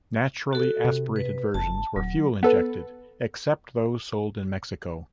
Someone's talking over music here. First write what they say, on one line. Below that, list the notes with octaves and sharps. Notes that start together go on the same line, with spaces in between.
Naturally aspirated versions were fuel injected, except those sold in Mexico.
F#4 A4
C3
B4
F#1 A5
D#1 F#3
B3 A4 B4